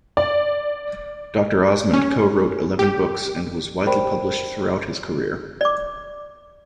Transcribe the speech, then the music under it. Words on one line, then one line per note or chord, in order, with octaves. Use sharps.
Doctor Osmond co-wrote eleven books and was widely published throughout his career.
D5
C#4
G4
G4 A#4 C5 D5 G5 B5
D5 D6